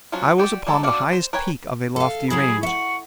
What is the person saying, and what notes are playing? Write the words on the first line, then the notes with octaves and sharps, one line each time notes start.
I was upon the highest peak of a lofty range.
F3 F#3 C#4 F4 F#4
F#4 G4 D5
G3 G#3 A4 A#5
D4 F#4 D5 F5
C5
A#4 B4 C#5 G5 G#5
A4 F5
F#3 G3 E4 G#4
E5 F#5 C#6